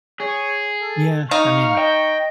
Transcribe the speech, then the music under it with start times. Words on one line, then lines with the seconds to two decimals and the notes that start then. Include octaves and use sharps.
Yeah, I mean
0.20 G#4 C#5
0.81 A4
1.31 D#4 F5 C#6
1.77 D#5 G5